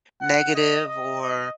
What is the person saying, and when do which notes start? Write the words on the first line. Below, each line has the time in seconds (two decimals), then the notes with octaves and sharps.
negative or
0.21 F#5
0.54 D#5
0.87 D#5
1.20 D#5